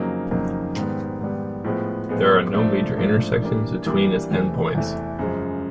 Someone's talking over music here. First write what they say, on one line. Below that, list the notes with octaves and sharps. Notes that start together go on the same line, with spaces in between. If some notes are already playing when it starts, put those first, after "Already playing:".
There are no major intersections between its endpoints.
Already playing: F2 C#3 F#3 A#3 D#4
F2 C#3 F#3 A#3 D#4
G#2 D#3 G3 B3
G#2 D#3 G3 B3
A2 F3 G#3 B3
A2 F3 G#3 B3
G#2 F3 A3 D4
G#2 F3 A3 D4
E3 G3 A#3 D4
E3 G3 A#3 D4
E2 C3 E3 A3
E2 C3 E3 A3
F#2 C#3 F3 G#3